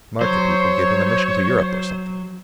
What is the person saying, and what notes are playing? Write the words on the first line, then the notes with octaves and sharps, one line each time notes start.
Marta people give him a mission to Europe, or something?
F#3 C5 C#5